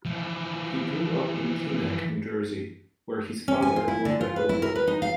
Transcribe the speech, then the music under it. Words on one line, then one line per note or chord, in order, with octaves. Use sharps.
He grew up in Teaneck, New Jersey where his father owned a home.
E3 F3
C#4
G#5
F4
E4
D3
F4
B4
E4
A#4
B4
D#4
F5